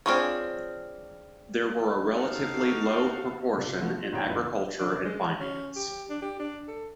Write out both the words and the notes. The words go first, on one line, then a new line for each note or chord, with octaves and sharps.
There were a relatively low proportion in agriculture and finance.
C4 D4 F4 G#4 C#5
D#4 F#4 A4 F5
C3 D4 F4
F3 A3 B3 F#4
F3
A#1 D3 D#4 C#5 G5
F2 A#2 D3 B4
D4
G#3
C#4
G4
D4
G4
D4
A4